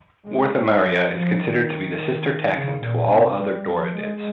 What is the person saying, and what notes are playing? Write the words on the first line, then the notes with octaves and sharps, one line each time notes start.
"Wertheimeria" is considered to be the sister taxon to all other doradids.
G#3
G3
F3
F3
D#3
C#3
A#2
C3
G3
F3
G#3